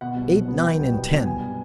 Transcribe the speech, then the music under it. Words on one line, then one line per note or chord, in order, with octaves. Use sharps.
Eight, Nine and Ten.
B2 F#5
C2
F#3
B3
B2 G5
C2
F#3
B3
G2 G#5